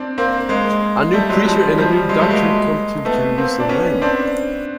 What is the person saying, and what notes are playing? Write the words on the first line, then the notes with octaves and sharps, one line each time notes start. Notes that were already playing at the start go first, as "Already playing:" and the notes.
A new preacher and a new doctrine come to Jerusalem.
Already playing: C4 D4
A#3 C4
G#3 A#3
G3 A3
F#3 G#3
F3 G3
F3 G3
F#3 G#3
G3 A3
G#3 A#3
A3 B3
A#3 C4
D4
B3 C#4
C4 D4